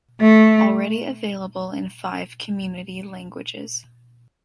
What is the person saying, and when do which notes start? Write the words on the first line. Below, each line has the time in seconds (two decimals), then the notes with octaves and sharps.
Already available in five community languages.
0.20 A3